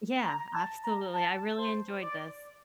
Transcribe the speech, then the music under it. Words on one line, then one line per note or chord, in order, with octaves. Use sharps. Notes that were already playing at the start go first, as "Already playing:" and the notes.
Yeah. Absolutely. I really enjoyed this.
A#5
A5
A#5
A5
C5
D5